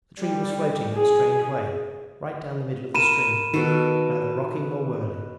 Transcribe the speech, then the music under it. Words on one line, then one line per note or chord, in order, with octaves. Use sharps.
The tree was floating in a strange way right down the middle of the stream, neither rocking nor whirling.
G3
G#4
A#4 B5 D#7 E7
B2 D#3 F#4 A4